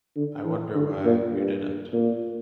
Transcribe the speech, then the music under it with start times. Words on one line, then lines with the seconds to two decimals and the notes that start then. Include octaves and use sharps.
I wonder why you didn’t.
0.16 D3
0.45 E3
0.75 D3
1.04 A#2
1.33 G2
1.93 A#2